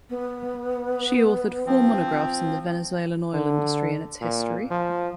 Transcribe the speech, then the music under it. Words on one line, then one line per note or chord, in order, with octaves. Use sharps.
She authored four monographs on the Venezuelan oil industry and its history.
B3
F3 C4
D3
A#2
F3